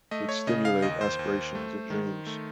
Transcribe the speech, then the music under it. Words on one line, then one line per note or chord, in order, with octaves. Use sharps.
would stimulate aspirations and dreams
A3 D#5
C#5
C#3 D#5
F5
D#2 D#5
C5
D#2
A3
D#3
A3